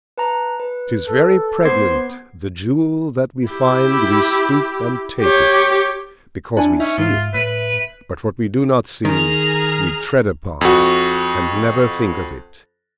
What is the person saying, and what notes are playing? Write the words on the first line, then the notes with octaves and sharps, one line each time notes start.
'Tis very pregnant: The jewel that we find we stoop and take it, Because we see it; but what we do not see We tread upon, and never think of it.
B4 A5 A#5
B4
A4
B3 C5 D6 G#6 C7
E4 G4
G4 C#5
D4 E4 G#5
C#4 D#4 E5
G#2 F4
A2 B4
D#3 G#4 A#5 F6
F2 F#4